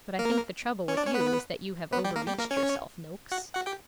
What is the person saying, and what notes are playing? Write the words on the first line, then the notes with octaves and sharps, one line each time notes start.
But I think the trouble with you is that you have overreached yourself, Noakes.'
A#3 A#4
C#4 C#5
D4 D5
C#4 C#5
B3 B4
B3 B4
G3 G4
A#3 A#4
G3 G4
A#3 A#4
C#4 C#5
F#4 F#5
F#4 F#5
G4 G5